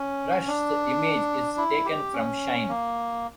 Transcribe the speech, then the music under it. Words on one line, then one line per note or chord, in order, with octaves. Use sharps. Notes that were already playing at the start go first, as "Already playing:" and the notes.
Rush's image is taken from "Shine".
Already playing: C#4
D4
E4
G4
C#4
A#3